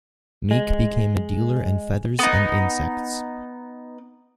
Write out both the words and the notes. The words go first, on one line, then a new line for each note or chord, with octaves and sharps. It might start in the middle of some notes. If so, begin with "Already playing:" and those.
Meek became a dealer in feathers and insects.
G#3
B3 D#4